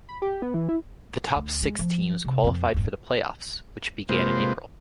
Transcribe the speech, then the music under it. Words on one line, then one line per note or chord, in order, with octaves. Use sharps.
The top six teams qualified for the playoffs, which began in April.
B5
G4
B3
E3
E4
D2
G#3
F3
C3
F2 C4
D#1 G2
C3 G#3 A#3 F4 B4 C5